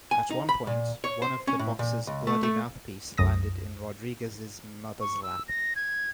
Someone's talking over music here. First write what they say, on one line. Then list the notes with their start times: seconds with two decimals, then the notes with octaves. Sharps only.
At one point, one of the boxers' bloody mouthpiece landed in Rodriguez's mother's lap.
0.11 G#5
0.30 D#4
0.49 B5
0.67 A#2
1.04 C#5
1.22 C5
1.47 C#4
1.59 A2
1.79 A#2
2.07 C#2
2.27 A3
2.43 A3
3.17 C2 F#2 D#6 A#6
5.01 C#6
5.23 E6
5.48 A#6
5.76 G#6